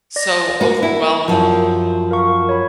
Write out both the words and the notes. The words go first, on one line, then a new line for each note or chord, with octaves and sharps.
so overwhelming
D5 A#6
A#3 F#4
E4
F#2 F3
A#4 F5 C#6
C#5 B5